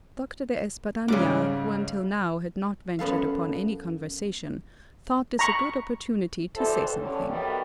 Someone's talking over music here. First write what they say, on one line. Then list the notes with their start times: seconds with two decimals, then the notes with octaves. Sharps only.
Doctor De Espadana, who until now had not ventured upon any conversation, thought this a good opportunity to say something.
1.08 G#2 C#3 G3 G#3 D6
2.99 F#2 B3 A4 F5
5.39 A#5 B5 C#6
6.56 E2 B2 E3 G3 A4 C5
6.98 G2 D3 C#4
7.29 D#3 F#3 G3 A3 B3